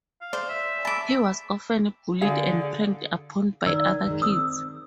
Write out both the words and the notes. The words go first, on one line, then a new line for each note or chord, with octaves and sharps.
He was often bullied and pranked upon by other kids.
F5
C5 D5
E5
A5 B5 D6
D3 G#4 F5
D#3 D5 E6
D#3 G#3
C4 D#6 E6